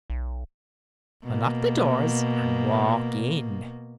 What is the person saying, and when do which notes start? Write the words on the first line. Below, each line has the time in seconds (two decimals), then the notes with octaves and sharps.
Unlock the doors and walk in.
0.10 B1
1.25 B2 A#3